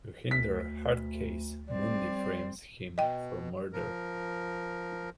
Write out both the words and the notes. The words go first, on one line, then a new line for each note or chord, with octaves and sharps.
To hinder Hardcase, Mundi frames him for murder.
D2 B6
G3 C4 D5
B2 D#5 G5
F3 A#4